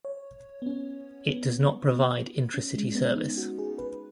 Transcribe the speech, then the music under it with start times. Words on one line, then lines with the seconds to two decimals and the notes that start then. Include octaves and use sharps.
It does not provide intracity service.
0.05 C#5
0.62 B3
0.66 C#4
1.29 B3
1.92 B3
2.54 C#4
2.75 G#3
2.95 B3
3.16 D#4
3.37 F#4
3.58 G#4
3.78 B4